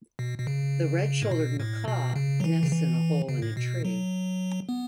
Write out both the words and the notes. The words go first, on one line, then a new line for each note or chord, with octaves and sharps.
The red-shouldered macaw nests in a hole in a tree.
B2
B2
C#3
A2
B2
A2
B2
C#3
F#3
E3
C#3
E3
C#3
A2
B2
F#3
B3